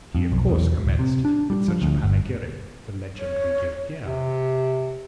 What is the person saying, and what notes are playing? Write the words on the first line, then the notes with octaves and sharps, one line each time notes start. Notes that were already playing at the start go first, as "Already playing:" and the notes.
He of course commenced with such a panegyric the legend we give here.
F2
B1
E2
D1
C3
D4
G3
F3
D2
G1
C#5
C3